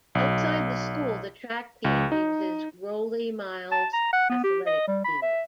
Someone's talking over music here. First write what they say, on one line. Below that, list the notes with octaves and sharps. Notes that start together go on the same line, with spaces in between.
Outside the school, the track team uses Rollie Miles Athletic Field.
B1
C#2
D#4
A5
A#5
F#5
B3
G4
D#5
G3
B5
E5